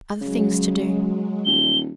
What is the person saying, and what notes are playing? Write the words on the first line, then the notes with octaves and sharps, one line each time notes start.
'Other things to do.'
C#3 F#3 G#3
D#1 G7